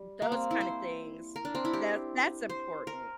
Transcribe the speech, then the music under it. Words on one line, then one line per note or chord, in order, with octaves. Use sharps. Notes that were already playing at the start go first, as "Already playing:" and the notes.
those kinda things that that's important,
Already playing: G3
A#3
C4
E4
C5
A#4
D4
C4
E4
G4
C5
A#4